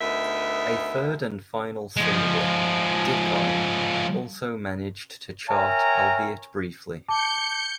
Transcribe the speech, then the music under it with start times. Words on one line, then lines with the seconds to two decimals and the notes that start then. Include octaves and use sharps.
A third and final single, "Dickeye," also managed to chart albeit briefly.
0.01 D2 B3 D#4 A#4 E5
1.96 F3 G#3
5.49 A#4 C#5 E5 G5 G#5 A#5
7.08 A5 D6 G6 C#7